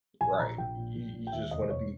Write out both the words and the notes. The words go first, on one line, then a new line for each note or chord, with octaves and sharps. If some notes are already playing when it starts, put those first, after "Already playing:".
Right, you you just wanna be
A#1 G#5
A#1 A#5
A#1 G5
A#2
A#1
A#2
G5
D#2 E5
E1 D#5
E1 C#5